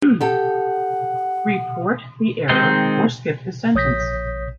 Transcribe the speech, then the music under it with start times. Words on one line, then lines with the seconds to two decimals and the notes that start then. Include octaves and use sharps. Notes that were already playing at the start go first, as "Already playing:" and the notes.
Report the error or skip the sentence.
0.21 G4 A4 F#5
2.49 D#3 G#3 C4 D#4 C5
3.75 A#1 C#5 D#6 G6 A#6 B6